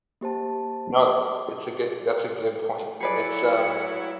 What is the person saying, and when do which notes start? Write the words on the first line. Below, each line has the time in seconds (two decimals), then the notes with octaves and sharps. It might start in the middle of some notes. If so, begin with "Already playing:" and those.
No. It's a good that's a good point. It's, um,
0.21 A#3 G4 C5 A5
3.00 F#3 E4 G#4 B4 D5 C#7